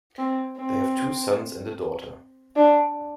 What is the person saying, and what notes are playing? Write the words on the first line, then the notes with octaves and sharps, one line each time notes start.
They have two sons and a daughter.
C4
C4
D4